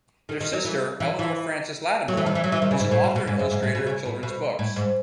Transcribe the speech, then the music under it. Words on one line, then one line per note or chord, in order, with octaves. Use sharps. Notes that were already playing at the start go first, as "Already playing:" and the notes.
Their sister Eleanor Frances Lattimore was an author and illustrator of children's books.
D#3
D#3
F#3
E3
E3
E3
F#3
E3
D#3
E3
F#3
E3
D#3
C#3
G#2
A2
B2
B2
G#2
F#2
G#2
A2
B2
C#3
A2
B2
A2
G#2